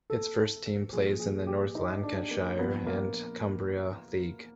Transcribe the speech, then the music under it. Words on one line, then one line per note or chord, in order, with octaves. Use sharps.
Its first team plays in the North Lancashire and Cumbria league.
A4
A#2 F3 G#4
G#4
G4
D#4
D4
A#3
A#2 F3 B3
A#3